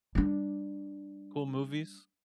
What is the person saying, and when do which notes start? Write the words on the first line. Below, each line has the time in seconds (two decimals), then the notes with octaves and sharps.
Cool movies?
0.15 G3 D4